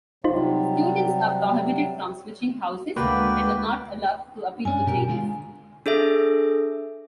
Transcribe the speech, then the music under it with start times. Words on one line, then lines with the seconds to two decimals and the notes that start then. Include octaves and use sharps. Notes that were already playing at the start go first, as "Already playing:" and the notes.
Students are prohibited from switching houses, and are not allowed to appeal for changes.
0.24 C3 F#3 G3 D#4 F4 C5
2.96 D2 G#3 A#3 F#4 B4 D5 G5
4.65 G2 C#4 D4 G#5
4.86 B2 G4 A#4
5.08 D3 G#3 F4
5.86 D4 G#4 A4 E5